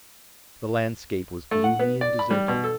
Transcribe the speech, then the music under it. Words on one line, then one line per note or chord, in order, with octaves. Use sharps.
The landscape was gloomy and deserted.
A3
F#5
B3
D5
B5
G3
B2
A4